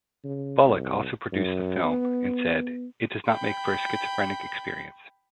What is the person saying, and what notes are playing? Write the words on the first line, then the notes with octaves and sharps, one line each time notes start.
Bullock also produced the film, and said, It does make for a schizophrenic experience.
C#3
C2
F#2
B3
G5 B5